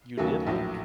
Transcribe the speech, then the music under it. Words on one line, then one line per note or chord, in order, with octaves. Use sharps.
You did like.
D#2 C#3 F#3 A3
A#1 A2 F#3